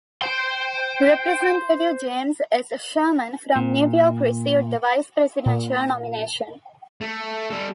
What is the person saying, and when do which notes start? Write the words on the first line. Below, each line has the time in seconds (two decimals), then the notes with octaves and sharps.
Representative James S. Sherman from New York received the vice-presidential nomination.
0.22 C5 G5 C6
3.56 A#2
5.46 A#2
7.01 A3
7.50 G3 A4